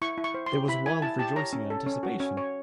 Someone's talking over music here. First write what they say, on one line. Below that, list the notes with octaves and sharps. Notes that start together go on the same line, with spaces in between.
There was wild rejoicing and anticipation.
E4 C#6
E4
C#6
C5
C6
G4
E4 B5
E4 G#5
E4 A5
G4 A5
C#5 A#5
C#4
A4
C#4
F#4
C#4
C#5